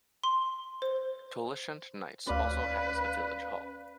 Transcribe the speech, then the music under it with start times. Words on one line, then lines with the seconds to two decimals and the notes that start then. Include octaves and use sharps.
Tolleshunt Knights also has a village hall.
0.24 C6
0.82 C5
2.27 D2 C#4 B4 D5 F5 B5